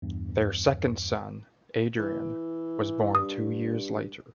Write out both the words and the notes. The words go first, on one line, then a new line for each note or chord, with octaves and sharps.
Their second son, Adrian, was born two years later.
E2 G2
E3
G2 D#6